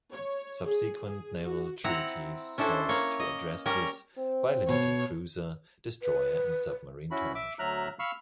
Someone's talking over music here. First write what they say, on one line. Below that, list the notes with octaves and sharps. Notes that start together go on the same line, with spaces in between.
Subsequent naval treaties sought to address this, by limiting cruiser, destroyer and submarine tonnage.
C#5
G#4
G#4
F#4
C4 E4 F#5 A#5
C#4 D4 E4 A4 C5
A#3 C#5
D#5
G3 C#4 A#4
C4
B2 C#5
B4
C#4 E4 F#4 B5
E5 D6
D2 F#3 E5 A#5 F6 F#6
F5 B5 C#6 E6 F6